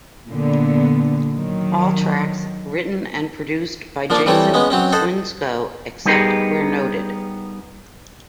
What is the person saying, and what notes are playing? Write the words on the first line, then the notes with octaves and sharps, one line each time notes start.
All tracks written and produced by Jason Swinscoe, except where noted.
A#2 D3 B3
D#3 F#3
F3 A#3 D4
E3 G3 A3 C4 C#5
G#3 B3 C#4
F#3 C4 C#4
A4 C5 D#5 F#5
G3 B3 D#4 G4 G#4 A#4